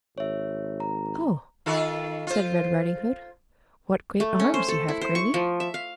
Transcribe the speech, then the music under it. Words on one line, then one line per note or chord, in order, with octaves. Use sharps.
"Oh!" said Red Riding-Hood, "what great arms you have, Grannie!"
G#1 C#5 E5
A#5
D#3 F4 A4
F4 C5
A3
C#4
C5
A4
E4
C5
C#6
F3
E5
F5